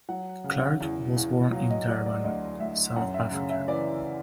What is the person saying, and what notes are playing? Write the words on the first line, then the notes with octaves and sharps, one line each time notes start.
Clark was born in Durban, South Africa.
F#3 F#5
C#3
E2
E2
F#3 F5
D#5
F#3 D5
D5
D2 D#5
D2 E5
F#2 F#5
E5
C#3
E5
E3 D5